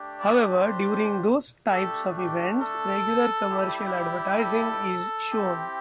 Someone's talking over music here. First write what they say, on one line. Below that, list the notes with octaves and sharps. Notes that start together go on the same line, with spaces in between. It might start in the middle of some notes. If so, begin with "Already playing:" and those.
However, during those types of events, regular commercial advertising is shown.
Already playing: A3 D4 G4
D5
C5
A3 D4 G4 A4
G4
A4
G3 E4 G4
A4
C4 E4 G4